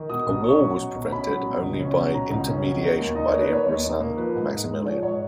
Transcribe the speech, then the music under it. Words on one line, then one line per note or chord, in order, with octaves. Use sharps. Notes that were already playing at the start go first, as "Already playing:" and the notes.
A war was prevented only by intermediation by the Emperor's son, Maximilian.
Already playing: D#3
B2 D#6
B1
C#4 C#6
F#3
B2
B1
C#4 B5
F#3
B2
C#2
C#4
F#3
B2 A#5
C#2
C#4
F#3
D#3
D#2
D#4 D#5
A#3 C#5
B4
D#3 C#5
D#2
D#4
A#3
F3 B4
G#2
D#4
G#3
F3 C#5
G#2 C#5